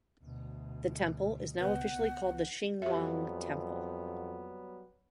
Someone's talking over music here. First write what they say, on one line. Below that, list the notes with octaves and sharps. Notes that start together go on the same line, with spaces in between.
The temple is now officially called the Shing Wong Temple.
D2 B2
C#2 B3 F#5 G6
F2 F#3 G3 B3 G4 E5